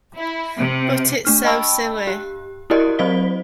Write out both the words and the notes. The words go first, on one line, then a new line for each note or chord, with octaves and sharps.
But it's so silly!
E4
C3
A3 D4 F6
D#5 G5 A5 B5 C#6 E6
G4
E4 F#4 G4 A#4 D5 D#5
F#3 C4 C5 D#5 B6 G7